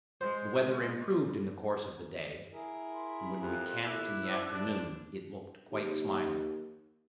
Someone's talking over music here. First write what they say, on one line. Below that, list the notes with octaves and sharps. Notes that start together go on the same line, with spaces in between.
The weather improved in the course of the day, and when we camped in the afternoon it looked quite smiling.
G#3 C5
E4 G#4 A#4
B5 C6
F2 G4 F#6
D#2 A3 E4 D6 E6 F#6
G#2 F3 D4
G2 E3 D4
D#2